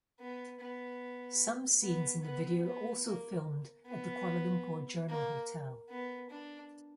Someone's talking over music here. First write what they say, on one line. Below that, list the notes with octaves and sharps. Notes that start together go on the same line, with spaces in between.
Some scenes in the video also filmed at The Kuala Lumpur Journal hotel.
B3
B3
B3
B3
B3
A#3
B3
A#3
B3
D4